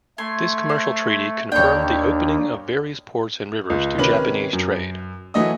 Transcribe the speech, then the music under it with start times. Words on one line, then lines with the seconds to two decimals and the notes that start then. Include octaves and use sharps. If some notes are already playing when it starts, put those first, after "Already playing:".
This commercial treaty confirmed the opening of various ports and rivers to Japanese trade.
0.18 A3 C6 G#6
0.69 C5
1.52 D#2 D4 C#5 G5
3.70 C#2
3.98 C3 D#3 C#4 B4 F#7
4.53 F#2
5.34 E3 F#3 A3 D#5 D#6